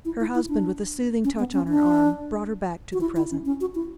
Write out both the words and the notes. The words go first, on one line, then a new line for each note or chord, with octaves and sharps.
Her husband, with a soothing touch on her arm, brought her back to the present.
E4
E4
E4
D4
C#4
B3
C#4
D4
F#4
E4
E4
C#4
C#4
F#4
E4